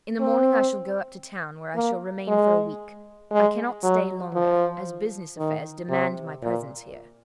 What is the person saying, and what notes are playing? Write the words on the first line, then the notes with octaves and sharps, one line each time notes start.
In the morning I shall go up to town, where I shall remain for a week--I cannot stay longer, as business affairs demand my presence here.
C4
A#3
G#3
G#3
F#3
F3
D#3
C3
A#2